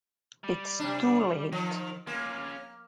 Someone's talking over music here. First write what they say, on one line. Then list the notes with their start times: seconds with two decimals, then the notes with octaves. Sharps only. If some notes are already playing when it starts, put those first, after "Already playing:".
It is too late.
0.44 G3
0.79 C3 D4
1.52 D#3 F3
2.07 A#3 C#4 F4